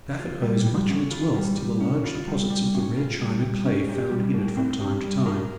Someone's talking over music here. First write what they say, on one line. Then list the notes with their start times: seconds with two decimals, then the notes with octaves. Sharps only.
Stafford owes much of its wealth to the large deposits of the rare china clay found in it from time to time.
0.19 F4
0.42 G3
0.66 G3
0.89 C#4
1.11 F4
1.34 G3
1.57 G3
1.81 C#4
2.04 F4
2.27 G3
2.50 G3
2.74 C#4
2.97 F4
3.20 G3
3.43 G3
3.65 C#4
3.89 G4
4.11 G3
4.34 A#4
4.57 C4
4.80 G4
5.04 G3
5.26 A#4